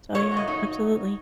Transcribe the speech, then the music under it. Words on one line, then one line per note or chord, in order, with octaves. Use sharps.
So, yeah, absolutely.
A#2 C#5
F#3
D#5
D#4